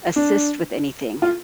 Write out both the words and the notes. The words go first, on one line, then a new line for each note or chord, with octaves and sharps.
assist with anything?
D4
F4